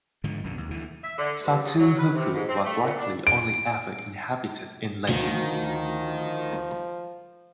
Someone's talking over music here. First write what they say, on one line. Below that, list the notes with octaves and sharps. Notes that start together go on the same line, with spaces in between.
Fatu Huku was likely only ever inhabited in legend.
G#2 D3 D#3 F3
B1 F#2 B2 D3
D#2
D2 E3
E5
D3
G2
C#3
F#3
B4
C3
G#2
C4
A3
A#2
D4
D7
D2 D#3 F3